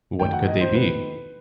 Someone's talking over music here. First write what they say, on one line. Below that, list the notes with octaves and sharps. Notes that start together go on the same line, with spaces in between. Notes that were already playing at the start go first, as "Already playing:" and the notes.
What could they be?
D#3 A3 D#4 G5
F#5
D#5
C5
B4